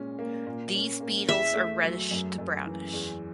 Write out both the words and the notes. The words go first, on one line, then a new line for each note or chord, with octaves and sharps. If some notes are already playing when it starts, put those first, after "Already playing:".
These beetles are reddish to brownish.
Already playing: A#2 G#3 C#4
A#3
A#2
C#4
A#3
E2 E5
A3
F#3
F#2
F#2
E3
E2